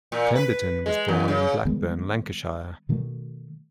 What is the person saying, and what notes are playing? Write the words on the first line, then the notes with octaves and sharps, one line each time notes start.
Pemberton was born in Blackburn, Lancashire.
A#2
B4
G#3
E2
C#3
D#3 G3 G#3 B3
B2 D#3 F#3 A3